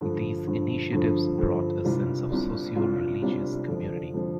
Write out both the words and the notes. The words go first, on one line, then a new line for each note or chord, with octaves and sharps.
These initiatives brought a sense of socioreligious community.
G2 D3 F3
G2 D3 F3
G2 D3 F3
G2 D3 F3
C2 C3 G3 D4 F4
C2 C3 G3 D4 F4
C2 C3 G3 D4 F4
C2 C3 G3 D4 F4
F2 D3 F3
F2 D3 F3